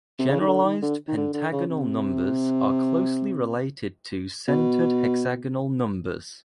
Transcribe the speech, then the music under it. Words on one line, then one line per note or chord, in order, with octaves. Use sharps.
Generalized pentagonal numbers are closely related to centered hexagonal numbers.
C3
C#3
D#3
D3
D#3
D3
D#3
D3
D3
C#3
C3
B2